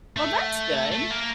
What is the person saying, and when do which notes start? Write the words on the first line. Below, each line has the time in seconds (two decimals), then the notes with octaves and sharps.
Well, that's good.
0.17 A3
0.92 A3
1.11 A#3